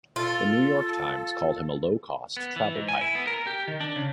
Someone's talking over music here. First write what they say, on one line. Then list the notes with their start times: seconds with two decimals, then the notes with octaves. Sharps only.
The New York Times called him a low-cost travel pioneer.
0.16 F4 A4
2.37 B3
2.56 E3
2.75 G#2
2.88 G#5
3.01 E4
3.15 B3
3.27 A#4
3.47 G4
3.68 D#3
3.80 D4
3.96 C#3